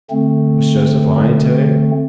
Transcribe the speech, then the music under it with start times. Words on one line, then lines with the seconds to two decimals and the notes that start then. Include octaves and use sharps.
Was Joseph lying to him?
0.11 D3 A3 C4